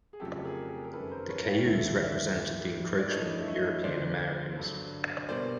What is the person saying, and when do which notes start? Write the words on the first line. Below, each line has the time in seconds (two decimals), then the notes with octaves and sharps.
The Cayuse resented the encroachment of European Americans.
0.13 G#4
0.20 F2 C#3 F#3 A3 G4 A4
0.44 G#4 A#4
0.68 G#4 A#4
0.84 A#4
0.93 F#2 D#3 G3 A4 B4
1.12 A#4 C5
1.29 B4 C#5
1.47 F5 G5
1.66 D#2 D3 F3 A3 E5 F#5
2.02 D5 E5
2.39 G#2 D#3 G3 A#3
2.99 D5
3.10 G2 E3 A3 C#5 D#5
3.40 E5
3.48 C#5 D#5
3.83 D2 D3 F3 C5 D5
4.56 G2 D3 F#3
5.29 B2 G3 A#3 C5 D5